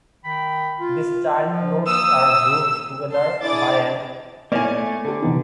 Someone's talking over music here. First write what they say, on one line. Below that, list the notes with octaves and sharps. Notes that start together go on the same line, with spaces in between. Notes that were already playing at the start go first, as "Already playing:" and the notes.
These child nodes are grouped together by an "and".
D#3 G5 B5
F4
F3
A#3 D#6 E6
A5 C6
D4 E4 G#4 D5 D6 A6
A#3 B3 E4 C#5 D5 G#5
A3
D3 G4 A4
C3 E3 B3 D#4